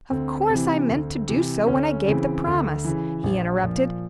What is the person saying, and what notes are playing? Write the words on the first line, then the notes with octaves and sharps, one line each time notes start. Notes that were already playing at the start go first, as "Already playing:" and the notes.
"Of course I meant to do so when I gave the promise," he interrupted.
D2 C4
C3
E3
D2
C3 E3
D2 C#4
C#3 E3 C4
D2
C#3 E3
A#1
A#2 F3